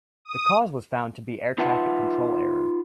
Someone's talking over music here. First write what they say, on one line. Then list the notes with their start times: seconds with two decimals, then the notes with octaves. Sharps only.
The cause was found to be Air Traffic Control error.
0.25 D#6
1.58 D#4 F4 B4 E5 F#5 A5